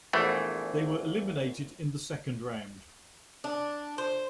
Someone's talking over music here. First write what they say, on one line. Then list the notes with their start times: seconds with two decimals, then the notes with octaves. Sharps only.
They were eliminated in the second round.
0.13 A#1 E2 E3 A3
3.44 D4
3.98 C5